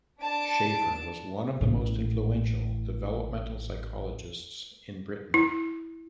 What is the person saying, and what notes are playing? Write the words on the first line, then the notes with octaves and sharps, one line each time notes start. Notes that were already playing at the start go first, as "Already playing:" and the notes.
Schaffer was one of the most influential developmental psychologists in Britain.
D4 A5 D7
A1 A2
E4